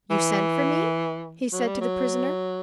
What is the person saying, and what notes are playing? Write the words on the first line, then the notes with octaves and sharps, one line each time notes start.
"You sent for me?" he said to the prisoner.
E3
F#3
G3
F#3